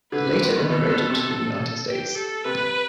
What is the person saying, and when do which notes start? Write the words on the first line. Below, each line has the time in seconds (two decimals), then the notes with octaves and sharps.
He later immigrated to the United States.
0.12 D3 B4
0.27 D3
0.41 C3
0.56 B2
0.70 B2 A4
0.89 B2
1.09 C3
1.87 G4
2.16 A4
2.45 C3 B4